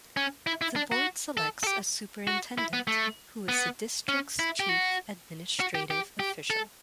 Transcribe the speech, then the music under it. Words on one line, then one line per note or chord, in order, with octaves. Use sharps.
The board selects a superintendent, who is the district's chief administrative official.
C#4
E4
E4
D4
F#4
A4
A4
G4
F#4
E4
B3
A3
B3
C#4
E4
G4
F#4
F#4
G4
G4
G4
A4